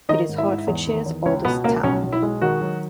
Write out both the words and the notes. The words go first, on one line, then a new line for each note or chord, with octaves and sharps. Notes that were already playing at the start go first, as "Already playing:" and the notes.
It is Hertfordshire's oldest town.
D#3 D#4 D#5
G#2
E4 E5
G#2
E2
D#3
E2
C#2 C#4 C#5
B2 B3 B4
C#2 A#3 A#4
B1 C#4 C#5
B1
E4
G#3
D#3 F#4
F#3